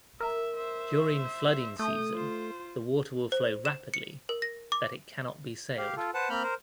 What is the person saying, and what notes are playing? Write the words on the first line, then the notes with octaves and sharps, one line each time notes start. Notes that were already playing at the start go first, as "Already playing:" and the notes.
During flooding season the water will flow rapidly that it cannot be sailed.
A#4 E5
C5 E5
A3 D#6 G6
F4 C5
C5
E7
C#7
A#4
A#6
D6
G4 F5
F4 A4
B4 C5 F#5 A5
A#3 C4 B5 F6 G6
A#4 C5